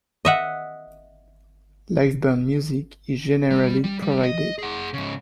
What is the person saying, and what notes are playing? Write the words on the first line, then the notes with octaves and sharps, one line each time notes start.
Live band music is generally provided.
D#5 E5 F#5
G3
G3
G3
D#5
G#4 F#5
G#2 C#3